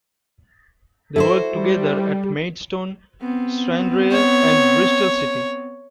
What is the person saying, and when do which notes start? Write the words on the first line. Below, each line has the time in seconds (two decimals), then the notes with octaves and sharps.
They worked together at Maidstone, Stranraer and Bristol City.
1.16 E4 F#4 A4 C5
1.55 G3
3.22 B3 C4
4.12 C#5